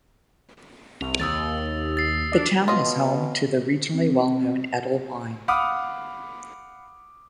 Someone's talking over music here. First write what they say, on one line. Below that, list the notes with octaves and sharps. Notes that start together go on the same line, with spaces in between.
The town is home to the regionally well-known Edel Wine.
C2 F7
D#2 D#6 E6 A6
A6 C7
D4
B2 F4 D#5
C4
F5 F#5 B5 D6 D#6 F6